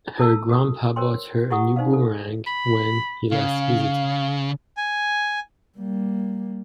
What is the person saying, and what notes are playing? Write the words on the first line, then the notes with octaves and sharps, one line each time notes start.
Her grandpa bought her a new boomerang when he last visited.
E4 A4 A5 E6
F#4 D#6
A#4 C5 C#5 G5 C6
E4 G4 F#5 C#6 D#6
D#4 C5 D5 F5
A4
B5
C#3 F5
G#5
G3 A#3